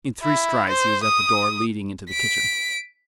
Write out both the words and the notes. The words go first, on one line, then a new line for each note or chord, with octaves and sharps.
In three strides he was at the door leading into the kitchen.
E4
C5
D#6
B6 D7